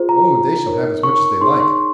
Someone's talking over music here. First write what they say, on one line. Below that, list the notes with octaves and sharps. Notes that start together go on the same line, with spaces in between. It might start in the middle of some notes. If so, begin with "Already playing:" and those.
"Oh! they shall have as much as they like."
Already playing: F4 G#4 C5
A#5
D#4 A#4 C#5
C#6
D#4 G#4 C#5 C6
C#6
C6